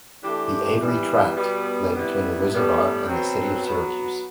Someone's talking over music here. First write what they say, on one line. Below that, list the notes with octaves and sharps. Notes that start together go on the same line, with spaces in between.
The "Avery Tract" lay between the reservoir and the City of Syracuse.
E3 A3 D4 G4
E3 G3 B3
B2 G3 B3
C3 G3 B3 E4
A2 G3 B3
B2 F#3 C4
F#3 B3 F#4